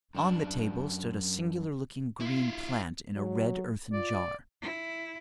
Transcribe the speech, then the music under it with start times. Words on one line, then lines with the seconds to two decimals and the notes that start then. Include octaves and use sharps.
On the table stood a singular-looking green plant in a red earthen jar.
0.15 F#2 D4
2.21 E4 F4
3.16 F#3
3.93 F4 D5
4.62 E4